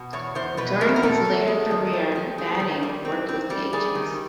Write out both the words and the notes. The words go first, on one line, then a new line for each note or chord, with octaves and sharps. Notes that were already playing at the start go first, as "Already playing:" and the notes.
During his later career, Badding worked with the Agents.
Already playing: B2
E2 C#5
E2 C5
B2 B4
E2 A#4
A#4
B2 A4
E2
G#3
D#3
G3
C4
C4 G#4
D#3
G3
C4
C4
G3
G3 G#4
D#3